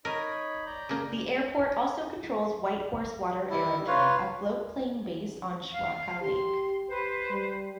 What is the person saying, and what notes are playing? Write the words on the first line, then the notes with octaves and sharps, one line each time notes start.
The airport also controls Whitehorse Water Aerodrome, a float plane base on Schwatka Lake.
D#4 A#4 C#5 B5
D5 A#5 G6
C#3 A#3
G3 E4
F4 B4 C#5 F5
F5
G4 C6
B4 C5
G3